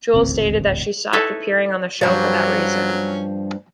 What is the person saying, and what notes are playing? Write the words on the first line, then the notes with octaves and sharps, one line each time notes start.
Jewell stated that she stopped appearing on the show for that reason.
D#1 A1 D2 C4
D#4 E4 A4 B4 C#5
G2 F3 F#3 C#4